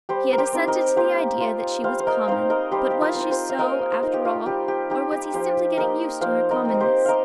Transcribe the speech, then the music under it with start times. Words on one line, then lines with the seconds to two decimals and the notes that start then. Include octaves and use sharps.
He had assented to the idea that she was "common"; but was she so, after all, or was he simply getting used to her commonness?
0.09 G3 G4 C5
0.33 A#4
0.38 G4 C5
0.53 C4 D#4
0.67 A#4 D#5
0.97 A#3 G4 C5
1.41 F4
1.84 G3 C5 F5
2.00 C5
2.07 A#4 D#5
2.28 C4 D#4 C5 F5
2.50 A#4 D#5
2.71 G3 G4 C5
2.91 G4
3.01 F4 A#4
3.15 C4 F4
3.30 G4 C5
3.50 F5
3.59 A#3 A#4 D#5
3.92 C5
4.03 D#4 A#4
4.14 G4
4.25 F4
4.46 G3 G4
4.68 G4
4.90 D#4 G4
5.12 G4
5.34 F3 G4 C5
5.78 A#3 D#4 A#4 D#5
6.21 F3 C5 F5
6.51 A#4 D#5
6.65 C4 D#4
6.74 D#5
6.80 G4 C5
7.06 A#4 D#5 F5